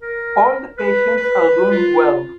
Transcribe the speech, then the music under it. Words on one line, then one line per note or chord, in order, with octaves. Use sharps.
All the patients are doing well.
A#4
B4
B4
F4